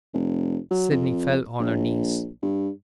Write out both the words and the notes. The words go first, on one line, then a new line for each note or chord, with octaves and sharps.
Sydney fell on her knees.
F1
F#3
F2
A#1
G2